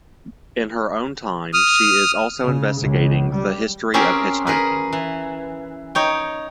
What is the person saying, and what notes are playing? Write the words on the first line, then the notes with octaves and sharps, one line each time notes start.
In her own time, she is also investigating the history of hitchhiking.
D#6 F6
C#3
C#2
G3
C4 C#4 F4 G4 G#4 A#4
G#4 A#4 B4
E3
D#4 C#5 G5